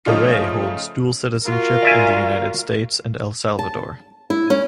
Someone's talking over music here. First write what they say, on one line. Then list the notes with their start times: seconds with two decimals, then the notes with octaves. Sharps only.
Garay holds dual citizenship in the United States and El Salvador.
0.06 C#3 F3 A3 C#4 D#4 F4
1.45 F4 F#4 A#4 F5
1.83 D5 E5 G#5
3.59 A5
4.30 E4
4.50 C#4